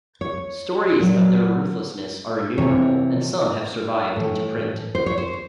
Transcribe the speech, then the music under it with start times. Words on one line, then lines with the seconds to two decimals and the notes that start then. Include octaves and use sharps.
Stories of their ruthlessness are innumerable, and some have survived into print.
0.21 C#5
0.99 A#2 F#3
2.58 C3 E3 C#5
4.16 A2 E3
4.95 C5
5.06 C#5
5.18 C5